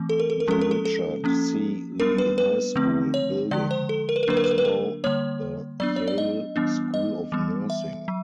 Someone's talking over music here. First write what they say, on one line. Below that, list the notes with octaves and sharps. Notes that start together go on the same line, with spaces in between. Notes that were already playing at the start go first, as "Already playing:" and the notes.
The Richard C Lee High School building is now the Yale School of Nursing.
Already playing: E3 A3 C4
A4
A#4
A4
A#4
F3 G#3 C#4 A4
A#4
A4
A4
F3 A#3 C#4
G3 B3 D4 A#4
B4
B4
D3 F3 A3 C4
C#5
D3 F3 G#3 D5
C5
A4
A#4
B4
A#4
D3 F#3 A#3 D4 B4
A#4
B4
A#4
B4
A#4
D3 G3 A#3 C#5
F#3 B3 D4 D5
C#5
D5
D#5
E3 G3 B3 D4
D#5
E3 G3 B3
E5
F#3